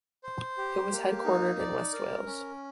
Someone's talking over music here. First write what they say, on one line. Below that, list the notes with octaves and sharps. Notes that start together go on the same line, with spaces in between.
It is headquartered in west Wales.
C5
G4
A#3
D#4
D5
A#4
C#4